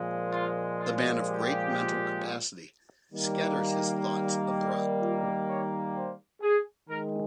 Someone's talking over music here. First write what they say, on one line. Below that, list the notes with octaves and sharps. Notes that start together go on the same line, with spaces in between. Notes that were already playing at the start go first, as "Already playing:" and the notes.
The man of great mental capacity scatters his thoughts abroad.
Already playing: A#2 F3 G#3
F4
F4
G4
D#3 G3 A#3
F4
C#5
C5
G#4
D#3 G#3 A#4